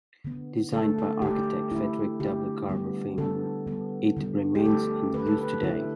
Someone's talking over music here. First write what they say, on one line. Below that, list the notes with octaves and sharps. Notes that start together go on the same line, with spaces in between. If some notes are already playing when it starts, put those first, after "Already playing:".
Designed by architect Frederick W. Garber's firm it remains in use today.
D3 B3
D3 A3 A4
A4
D3 A3 G4
D3 A3 E4
D3 A3 G4
D3 G3 B3
D3 G3 B3 A4
D3 G3 B3
D3 G3 B3
G4
D3 A3 A4
D3 A3 B4
A4
B4
D3 A3 E4